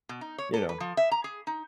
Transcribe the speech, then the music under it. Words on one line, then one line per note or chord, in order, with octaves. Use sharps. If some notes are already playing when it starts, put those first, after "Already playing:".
you know,
B2
D#4
C#5
A4
B4
F3
E5
A#5
G#4
D#4